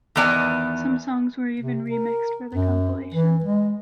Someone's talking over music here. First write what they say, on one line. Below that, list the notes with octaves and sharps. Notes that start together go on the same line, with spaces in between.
Some songs were even re-mixed for the compilation.
E2 D#3 B3 D5 G#5
C3
A#4
F#2
E3
G#3